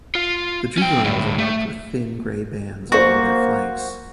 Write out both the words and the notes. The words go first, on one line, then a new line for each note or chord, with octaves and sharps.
The juveniles are marked with thin grey bands along their flanks.
F4
C#4 G5
D2 A2
A3
A#3 F#4 C5 C#6